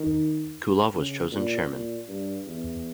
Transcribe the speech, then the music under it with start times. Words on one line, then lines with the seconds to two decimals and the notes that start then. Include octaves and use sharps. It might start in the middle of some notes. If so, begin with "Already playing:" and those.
Kulov was chosen Chairman.
Already playing: D#3
0.94 C#3
1.32 A#2
1.70 A#2
2.08 G2
2.46 E2